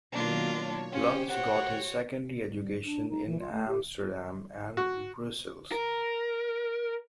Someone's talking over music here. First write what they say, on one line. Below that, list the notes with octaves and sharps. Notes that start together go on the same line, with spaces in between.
Luns got his secondary education in Amsterdam and Brussels.
B2 D#3 F#3 A#3 D4 F4
C#5 A5
C#4 F4 G4 C5 G5
F#4 C#5 F#5
G3
D4
D#4
E3
F4
A3
G4
F#4
A#4